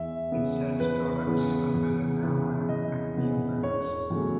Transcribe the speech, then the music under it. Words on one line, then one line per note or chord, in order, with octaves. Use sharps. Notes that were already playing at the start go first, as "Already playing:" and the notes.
It sells products under the "Navman" and "Mio" brands.
Already playing: E2 E5
C#3 E3 B3
E2 B4
C#3 E3 B3
E2
C#3 E3 B3
E2 D#5
C#3 E3 B3
E1 C#5
E2 C#3 F#3 A3